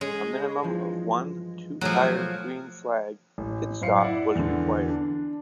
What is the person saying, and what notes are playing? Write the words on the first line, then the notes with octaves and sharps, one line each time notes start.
A minimum of one two-tire green flag pit stop was required.
G#3 C#4
G2 E3 F3
B1 F3 F#3 A3 G#4
A1
F#2 A2 C5 F5 C7 C#7
E4 D5 F#5
E2 D3
D4